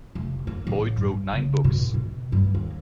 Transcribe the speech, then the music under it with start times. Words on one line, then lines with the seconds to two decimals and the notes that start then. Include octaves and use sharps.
Boyd wrote nine books.
0.15 F1
0.47 A#3
0.67 A1
0.97 G2
1.33 C#3
1.64 B2
1.79 G#2
1.94 B2
2.32 G2
2.54 D#2